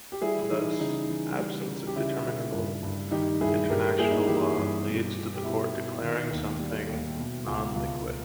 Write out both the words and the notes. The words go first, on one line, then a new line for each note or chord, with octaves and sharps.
Thus, absence of determinable international law leads to the court declaring something "non liquet".
G4
G3 E4 G#4
E4
E3 D#4
C#3 D#4
E3
G3
C#3
G4
C#3 E4
C#3
G2
G2
D#3 D#4 G4
G2 E4 G#4
G2 G4 A#4
A#3 E4 G#4
D#4
E4
E3 D#4 G4
G2
B2
B2
G4
B2 E4
B2
D#3
D#2
G3
D#2
B2
C#2
C#2